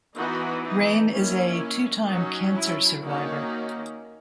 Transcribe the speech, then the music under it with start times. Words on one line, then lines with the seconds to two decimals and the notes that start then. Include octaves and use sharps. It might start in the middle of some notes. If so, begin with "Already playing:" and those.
Rehn is a two-time cancer survivor.
0.16 E3 B3 D#4 F#4
0.64 D#4
1.12 D#3 A#3 C#4 E4
2.07 F#3 C#4 D#4 F#4
2.55 E4
3.03 D#3 A#3 C#4 D#4 F#4